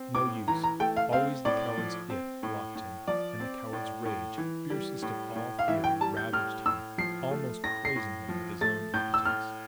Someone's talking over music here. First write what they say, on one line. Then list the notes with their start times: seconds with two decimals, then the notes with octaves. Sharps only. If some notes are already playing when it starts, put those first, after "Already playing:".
No use; always the coward's "if" blocked him; and the coward's rage,--fiercest of all fury,--ravaged him, almost crazing him with his own impotence.
Already playing: C4
0.15 A2 D6
0.48 E3 A#5
0.64 A#5
0.80 A3 G5
0.97 F5
1.12 C4 F5
1.45 A2 D5
1.78 F3
2.10 C4
2.43 A2
2.75 A2
3.08 F3 D5
3.40 C4
3.73 A2
4.05 A2
4.38 E3
4.70 G3
5.02 A2
5.36 A2
5.59 F5
5.68 E3 E5
5.84 G5
6.01 G3 A5
6.17 G6
6.33 A2 F6
6.66 A2 E6
6.98 F3 C7
7.31 A3
7.64 A2 A#6
7.85 C7
7.96 A2
8.29 F3
8.61 A3 A6
8.94 A2 G6
9.14 E6
9.25 A2 F6